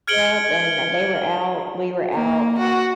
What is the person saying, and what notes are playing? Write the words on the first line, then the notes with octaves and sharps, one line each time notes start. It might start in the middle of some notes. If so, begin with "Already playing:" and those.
grew up and they were out we were out
F6 G#6 C#7 D7 F#7 G7
A#3
F#4